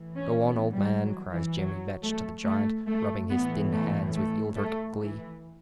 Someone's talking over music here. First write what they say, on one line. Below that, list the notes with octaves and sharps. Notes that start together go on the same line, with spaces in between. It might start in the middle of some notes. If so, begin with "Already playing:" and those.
"Go on, old man!" cries Jemmy Vetch to the giant, rubbing his thin hands with eldritch glee.
Already playing: A2 E3
C#4
B3
G3
F#3
E3
F#3
A3
A3
A3
A2 E3 B3
A3
A3
A3
E3